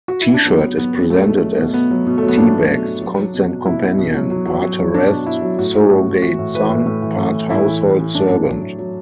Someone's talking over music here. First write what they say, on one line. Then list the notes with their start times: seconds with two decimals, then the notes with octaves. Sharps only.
T-Shirt is presented as T-Bag's constant companion, part harassed surrogate son, part household servant.
0.08 F#4
0.22 E4
0.34 D4
0.46 F#3 B3
0.62 F#3
0.78 F#3 B3
0.95 F#3
1.10 B2 A3
1.27 B2
1.43 F#3
1.58 B2
1.74 B2 B3
1.91 F#3
2.07 B2
2.18 F#3 A3
2.28 B3
2.38 F#3 D4
2.54 F#3
2.71 B2
2.87 B2
3.02 F#3
3.19 F#3
3.34 B2
3.51 B2
3.66 B2 E4
3.82 B2
3.98 B2
4.15 F#3
4.30 F#3
4.47 F#3
4.62 F#3
4.79 F#3
4.94 B2 D4
5.10 B2
5.26 B2 E4
5.42 F#3
5.58 A2 F#4
5.74 A2
5.90 A2
6.06 A2
6.22 E3 F#4
6.39 A2
6.55 E3 B4
6.70 A2
6.87 A2
7.02 E3
7.18 A2
7.35 E3
7.50 A2 E4
7.67 E3
7.83 E3
7.99 E3
8.15 A2 D4
8.30 A2
8.47 F#3
8.62 A2
8.79 F#3